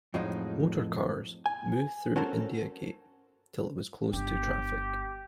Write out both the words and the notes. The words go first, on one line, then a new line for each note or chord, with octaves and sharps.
Motor cars, moved through India Gate, till it was closed to traffic.
F2 A2 F3 F#3 G#3 D#4
G#5
C#4 F#4 A4 A#4 C5
G1 D4 G4